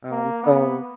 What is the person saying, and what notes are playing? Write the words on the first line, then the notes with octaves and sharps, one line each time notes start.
um so,
A#3
B3